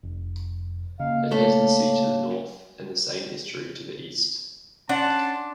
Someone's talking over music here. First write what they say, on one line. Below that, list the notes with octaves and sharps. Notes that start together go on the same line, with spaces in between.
It has the sea to the North, and the Seine estuary to the East.
F1
C#3 A#3 D#5 F5
A3 A#3 C#5 A5
C#4 D4 F#5 A5 C6